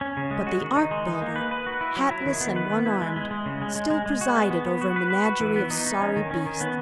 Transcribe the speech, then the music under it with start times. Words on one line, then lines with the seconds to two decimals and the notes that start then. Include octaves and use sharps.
But the ark-builder, hatless and one-armed, still presided over a menagerie of sorry beasts.
0.01 C#4
0.17 C#3
0.31 G#3
0.47 F#4
0.61 D#3
0.77 D#4
0.91 G#3
1.07 D#4
1.22 A#3
1.36 B4
1.51 B4
1.66 F#4
1.81 E4
1.97 F#3
2.11 E4
2.26 D#3
2.41 B3
2.56 B4
2.71 B3
2.86 E4
3.01 G#3
3.16 G#3
3.31 G#3
3.46 C#3
3.62 G#3
3.76 G#3
3.90 G#3
4.06 G#3
4.21 F#4
4.35 B3
4.51 B3
4.66 B3
4.81 F#4
4.96 B4
5.10 B4
5.25 F#4
5.40 E3
5.56 B3
5.70 D#4
5.86 D#4
6.01 C#4
6.16 D#3
6.31 C#4
6.46 D#3
6.61 B3